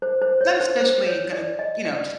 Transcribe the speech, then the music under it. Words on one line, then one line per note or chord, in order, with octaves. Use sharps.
not especially gonna, you know, t
C5
C5
C#5
C5
C5
C#5
D5
D#5
D5